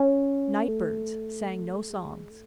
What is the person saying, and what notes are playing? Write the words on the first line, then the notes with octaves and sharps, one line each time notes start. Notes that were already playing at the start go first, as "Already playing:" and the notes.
Nightbirds sang no songs.
Already playing: C#4
A3
G#3
A3